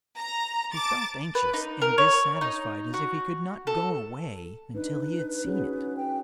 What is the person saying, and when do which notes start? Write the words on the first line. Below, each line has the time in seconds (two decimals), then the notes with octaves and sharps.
He felt anxious and dissatisfied, as if he could not go away until he had seen it.
0.17 A#5
0.72 A5 D6 A6
1.35 B4
1.54 D#4
1.82 A#4
1.98 C#5
2.41 D#4
2.94 F#4
3.67 A4
4.75 D4 D#4 B4
5.45 C#4 F#4 G#4
5.97 G5